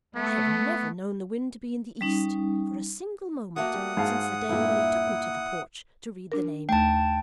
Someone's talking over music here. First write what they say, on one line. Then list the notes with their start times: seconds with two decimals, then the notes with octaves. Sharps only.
I have never known the wind to be in the east for a single moment since the day when he took me to the porch to read the name.
0.16 A3 B3
2.01 G3 C#4 D#4
3.56 F#3 A3 A#3 F#5 D#6
3.74 G3
3.97 G#2 F5 A5
4.49 G2 A#2 E4
6.32 D4 A#4
6.69 D#2 A3 G5 A5